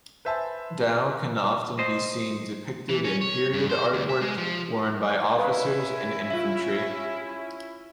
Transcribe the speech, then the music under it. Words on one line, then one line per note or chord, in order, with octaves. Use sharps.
Dao can often be seen depicted in period artwork worn by officers and infantry.
B4 C5 E5 G#5 A5
C5 D#5
E3
C#4
C#5
G2
C5
D2
E5
G#3
F3
C#4 E4 B4 D#5 F5
F4 E5